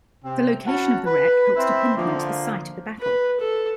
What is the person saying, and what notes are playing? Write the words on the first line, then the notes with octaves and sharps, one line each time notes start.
The location of the wreck helps to pinpoint the site of the battle.
C3 C4
C#4 E4 F#4 F#5 A5
B4
C4 E4 C5 E5
D3 F3 A#3
B4
A4